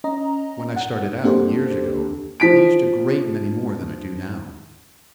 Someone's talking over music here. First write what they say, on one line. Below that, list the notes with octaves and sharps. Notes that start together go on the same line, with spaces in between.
When I started out, years ago, I used a great many more than I do now.
C#4 D#5 A#5
F#5
A#3 C4 D4 G4 A4 C5
F3 B6 D7